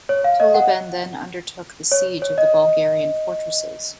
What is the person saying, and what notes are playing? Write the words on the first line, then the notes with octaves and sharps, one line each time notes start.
Totleben then undertook the siege of the Bulgarian fortresses.
C#5
F5
D#5
F#5
C#5
C#5
D#5